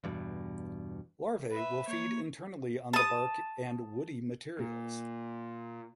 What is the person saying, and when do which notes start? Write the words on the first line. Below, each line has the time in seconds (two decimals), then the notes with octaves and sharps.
Larvae will feed internally on the bark and woody materials.
0.04 E2 G2 B2
1.50 B4 E5
1.88 A#3 C#5
2.93 A5 D#6
4.59 A#2